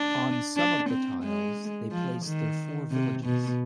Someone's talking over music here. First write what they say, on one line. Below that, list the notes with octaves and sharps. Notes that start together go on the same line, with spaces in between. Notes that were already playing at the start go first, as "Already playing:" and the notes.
On some of the tiles they place their four villages.
Already playing: D4
D4
C4
G#3
F3
D#3
C3
B2